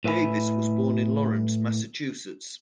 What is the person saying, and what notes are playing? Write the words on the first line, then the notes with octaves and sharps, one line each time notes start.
Davis was born in Lawrence, Massachusetts.
A2 B4 E5 G#5 B5